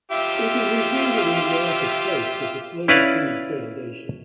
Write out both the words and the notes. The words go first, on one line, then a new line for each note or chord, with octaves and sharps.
It is included in the Ark of Taste of the Slow Food Foundation.
F4 G4 E5
C#4 E4 B4 D5 F5